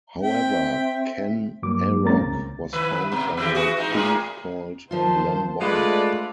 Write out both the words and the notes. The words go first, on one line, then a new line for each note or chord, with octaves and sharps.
However, Ken Arok was found by a thief called Lembong.
C4 E5 G5
G2 F#3 A#3 D6
G#3 A#3 C4 C#4 A#5 A6
C#2
D#3 B4
B2
D#3 E3 G4
E3 F#4 G#4
G#3 D#4
A2 A#3 G#4
D#2 F3 F4 C5 A5
G#3 A3 D4 F4 B4 D5